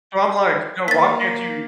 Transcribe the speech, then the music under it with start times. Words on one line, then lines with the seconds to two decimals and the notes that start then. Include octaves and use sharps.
So I'm like, you know, why can't you
0.88 A#3 A6 B6